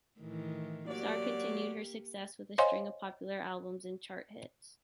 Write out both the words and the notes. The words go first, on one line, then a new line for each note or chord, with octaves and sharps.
Starr continued her success with a string of popular albums and chart hits.
A2 D#3 E3
F#3 A#3 F#4 G4 D5
C5 C#5 D#5 F5 G#5 C6